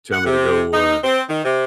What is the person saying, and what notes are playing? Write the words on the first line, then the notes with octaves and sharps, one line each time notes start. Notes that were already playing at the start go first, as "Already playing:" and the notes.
tell me to go, uh,
F#5
C3
D#4
C4
D#3
C3